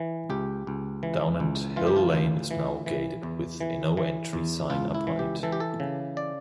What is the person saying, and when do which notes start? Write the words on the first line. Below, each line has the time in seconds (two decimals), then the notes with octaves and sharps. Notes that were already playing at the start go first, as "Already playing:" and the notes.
Downend Hill Lane is now gated with a no entry sign upon it.
Already playing: E3
0.30 C#2 G4
0.67 C#2
1.03 E3
1.40 C#2
1.76 E3 F4
1.87 G4
1.96 F4
2.13 D2
2.51 E3
2.86 E3
3.23 E2
3.60 E3
3.97 E3
4.33 E2
4.70 C#2 F4
4.95 E4
5.07 E3
5.19 G4
5.43 E3 A4
5.52 G4
5.60 A4
5.80 C#3
6.17 D5